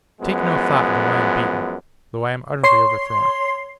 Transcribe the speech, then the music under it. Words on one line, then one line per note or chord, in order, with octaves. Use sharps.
Take no thought though I am beaten, though I am utterly overthrown.
F#2 F3 G#3 B3
C#5 C6 C7